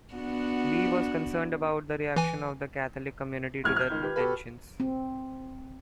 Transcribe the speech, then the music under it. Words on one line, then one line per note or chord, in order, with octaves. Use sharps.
Lee was concerned about the reaction of the Catholic community to the detentions.
B3 D4 F#4
E3 G#5
F1 A2 F#3 F#4 F6 G#6
F6 G6
C#2 D#3
G4 B4
F#4 G4 A4 B4
C4